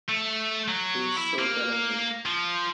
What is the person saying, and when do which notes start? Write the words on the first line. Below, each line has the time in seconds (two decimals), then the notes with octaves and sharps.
He is so talented.
0.09 A3
0.68 F#3
1.16 E4
1.39 A#3
2.26 F3